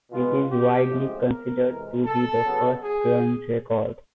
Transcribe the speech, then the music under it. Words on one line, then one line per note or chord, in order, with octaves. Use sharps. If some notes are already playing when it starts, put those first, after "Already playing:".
It is widely considered to be the first grunge record.
B2 G#3 B3 F4
G4
A2 F3 G#3 C4
A#4
F2 C3 E3 G#3
A4
C#3 F#3 B3
G#4